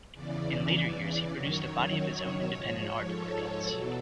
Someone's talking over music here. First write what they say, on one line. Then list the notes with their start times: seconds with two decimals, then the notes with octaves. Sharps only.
In later years, he produced a body of his own independent art for adults.
0.13 E2 C#3 E3 D5
1.31 F#2 D#3 F#3 C#5
2.49 G#2 F3
3.08 A4
3.66 E2 B2 F#3